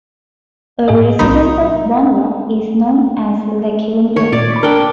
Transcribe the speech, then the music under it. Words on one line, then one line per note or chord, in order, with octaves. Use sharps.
A resident of Bonloc is known as a 'Lekuindar'.
A2 G#4 D#5
B1 F#3 D#4 B5
D#3 C#5
A#2 D5
B5 D6 B6
D4 A#4 G5 E6